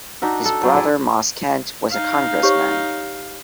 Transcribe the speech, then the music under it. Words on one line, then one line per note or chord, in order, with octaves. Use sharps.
His brother Moss Kent was a Congressman.
D4 D#4 F#4 E5
A4
F#3 C5
E4 G#4 D5
D#4 F5
G4 C#5